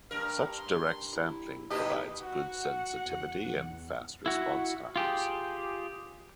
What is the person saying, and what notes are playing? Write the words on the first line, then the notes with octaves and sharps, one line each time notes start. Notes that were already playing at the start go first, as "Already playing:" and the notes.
Such direct sampling provides good sensitivity and fast response times.
G2 A#4 F5
C6
E4
A2 D#4 G4 B4 D#5
F#4 F#5
E2
E4 F#4
F4 G4 G#4